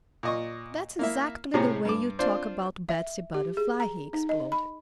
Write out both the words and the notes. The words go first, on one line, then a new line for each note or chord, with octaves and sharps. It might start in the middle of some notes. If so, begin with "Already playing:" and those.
"That's exactly the way you talk about Betsy Butterfly!" he exploded.
A#2 D#5 C#6
A#3 E4 E5
A2 C3 C#4 G4 G#4 A#5
G2 D6
C4 D4 F4 C5 D5
E5
G4
G#4
A#5
D#4
D#5
B5